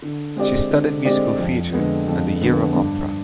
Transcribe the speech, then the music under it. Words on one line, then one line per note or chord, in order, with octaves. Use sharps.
She studied musical theatre and a year of opera.
D3
G#3 C4 G4 D5
D3
G#3 C4 G4 D5
F2
D3 G#3 B3
F2
D3 G#3 B3
G2